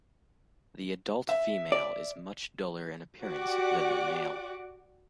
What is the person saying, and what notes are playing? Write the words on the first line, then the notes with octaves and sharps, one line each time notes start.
The adult female is much duller in appearance than the male.
E5
D5
F#4 G4 D5 F#5 D6